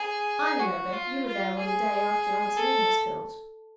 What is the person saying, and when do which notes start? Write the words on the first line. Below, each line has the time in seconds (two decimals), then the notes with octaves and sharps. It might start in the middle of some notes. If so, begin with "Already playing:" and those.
"I remember; you were there on the day after Aunt Selina was killed."
Already playing: G#4
0.59 F#4
0.93 F4
1.26 F4
1.58 G#4
2.57 A4